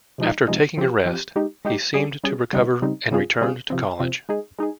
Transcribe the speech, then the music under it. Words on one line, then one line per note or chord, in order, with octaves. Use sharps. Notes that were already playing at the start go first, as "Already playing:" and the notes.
After taking a rest, he seemed to recover and returned to college.
C3 F3 G#3 D#4
C3 F3 G#3 D#4
F3 C4 G4
F3 C4 G4
G#3 D#4 G4
G#3 D#4 G4
G3 C#4 G#4
G3 C#4 G#4
C#3 G3 C4 D#4
C#3 G3 C4 D#4
C#3 G3 C4 F4 G#4
C#3 G3 C4 F4 G#4
C3 F3 C4
C3 F3 C4
G#3 D#4 G#4
G#3 D#4 G#4